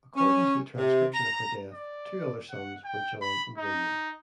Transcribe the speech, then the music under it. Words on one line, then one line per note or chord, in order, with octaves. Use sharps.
According to the transcription of her death, two other sons were John and William.
C#4
C3
A#5
D5
F#5
G5
B5
D#4